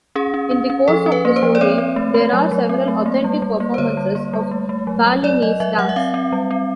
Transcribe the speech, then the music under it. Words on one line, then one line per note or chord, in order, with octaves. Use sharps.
In the course of the story there are several authentic performances of Balinese dance.
C#4 G#4
C#4
C#4
C#4
F3 A4
C#4
B4
A#3
C5
F3
D5
C4 C#5
C4
A3
A3
F#3
F#3
C4
A3
A#3
G3
G3
A#3
C5
D3 C#5
G3
A#3
G3
A3
A3
F#3
F#3
F#3 D5
F#3 D#5
F#3 E5
F#3 F#5
E5
C4 F5
C4
G3
C4